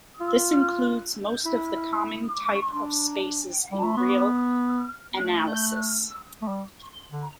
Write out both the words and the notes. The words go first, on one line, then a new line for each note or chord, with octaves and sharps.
This includes most of the common type of spaces in real analysis.
F4
E4
D4
G3
A3
B3
B3
A3
A3
G3
D3